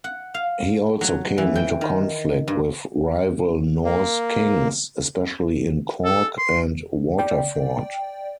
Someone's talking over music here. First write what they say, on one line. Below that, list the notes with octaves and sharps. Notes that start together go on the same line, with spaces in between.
He also came into conflict with rival Norse kings, especially in Cork and Waterford.
F#5
F5
F#3
E3
G5
D#3
G2
A#3
A4
C6
D5 G5